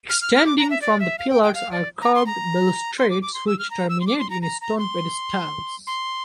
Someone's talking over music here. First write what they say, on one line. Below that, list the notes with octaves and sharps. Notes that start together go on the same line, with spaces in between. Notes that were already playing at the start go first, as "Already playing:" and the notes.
Extending from the pillars are curved balustrades which terminate in stone pedestals.
F6
F6
F6
D6
A#5
E5
D5
E5
F5
G5
G5
F5
D5
A#5
C6
A#5
C6
D6
D6
C6
E6
F6
A#5
E6
C6
D6
C6
A#5
A#5
A#5
C6
C6